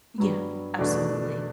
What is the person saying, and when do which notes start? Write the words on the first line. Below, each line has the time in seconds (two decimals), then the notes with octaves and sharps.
Yeah. Absolutely.
0.18 G2 F#3 B3
0.78 E2 B2 A3 D4